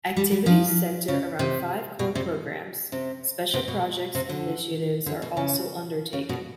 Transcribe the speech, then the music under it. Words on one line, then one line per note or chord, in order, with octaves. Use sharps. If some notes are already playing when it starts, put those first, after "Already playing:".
Activities centre around five core programmes; special projects and initiatives are also undertaken.
G3
G3
F3
C#3
C3
B2
C3
C3
C3
B2
C3
D3
D3
B2
C#3
C#3
B2